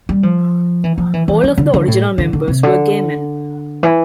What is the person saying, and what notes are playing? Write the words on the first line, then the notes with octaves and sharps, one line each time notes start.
All of the original members were gay men.
G3
F3
E3
F3
E3
E3
E3
D3
D3
A2
D3
D3
C3
D3
E3